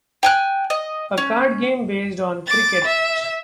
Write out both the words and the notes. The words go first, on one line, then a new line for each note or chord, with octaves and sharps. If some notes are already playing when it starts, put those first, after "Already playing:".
A card game based on cricket.
G5 G#5 F#6
D#5
C#4
D6 A6
E5